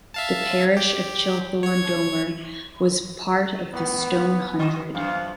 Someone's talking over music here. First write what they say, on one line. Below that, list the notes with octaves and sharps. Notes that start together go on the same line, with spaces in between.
The parish of Chilthorne Domer was part of the Stone Hundred.
E5 F5 A5
G4
C#5 G#6
G#2 B3
D#3 D#5
F#2 F3 B3 F5